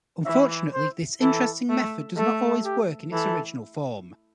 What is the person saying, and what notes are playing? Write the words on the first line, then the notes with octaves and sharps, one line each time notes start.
Unfortunately this interesting method does not always work in its original form.
E3 E5
C5
E3 A4
A3
A3 A4
G4
E3 A4